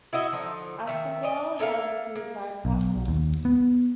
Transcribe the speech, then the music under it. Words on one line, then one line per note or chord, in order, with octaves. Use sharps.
Aspendale has two side platforms.
E4 F#4 D#5 E5
D3 F3 D#4
D#3 E5
D5 D#5
A#3 A4 E5 F5
A#3
B1
D#2
B3